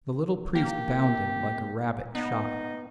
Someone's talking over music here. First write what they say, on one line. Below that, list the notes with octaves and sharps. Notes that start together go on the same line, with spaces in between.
The little priest bounded like a rabbit shot.
A#3 G4
B3 D#4